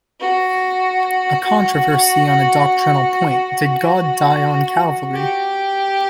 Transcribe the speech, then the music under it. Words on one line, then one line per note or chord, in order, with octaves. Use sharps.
A controversy on a doctrinal point Did God die on Calvary?
F#4
F#4
F#4
G4